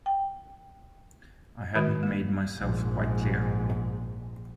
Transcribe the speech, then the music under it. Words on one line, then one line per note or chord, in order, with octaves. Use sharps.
I hadn't made myself quite clear.
G5
D#3 G#3 F#4
A#3
A#1 G#2